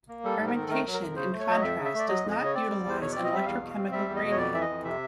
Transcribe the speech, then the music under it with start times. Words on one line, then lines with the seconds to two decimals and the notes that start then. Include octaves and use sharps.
Fermentation, in contrast, does not utilize an electrochemical gradient.
0.08 A#3
0.24 G3 A4
0.39 G#2
0.47 A#4
0.55 D#3
0.63 A4
0.70 A3 A#4
0.86 F#3
0.94 A#4
1.01 F2
1.16 C#3 C5
1.32 A3
1.40 C#5
1.48 F#3 D#5
1.62 F2 E5
1.78 C#3
1.85 E5
1.94 A3
1.99 D5
2.08 F#3 D#5
2.24 F2
2.31 D#5
2.39 C#3
2.45 C#5
2.55 C4 D5
2.70 G3
2.85 E2 C5
3.01 B2 C#5
3.12 C4 D5
3.24 D#5
3.32 G3 E5
3.46 E2 F5
3.61 B2
3.70 F5
3.77 C4
3.92 G3 E5
4.08 E2
4.16 D#5
4.23 B2
4.31 C#5
4.38 F2 D5
4.53 E3 E5
4.61 D#5
4.69 F2
4.85 C3 E5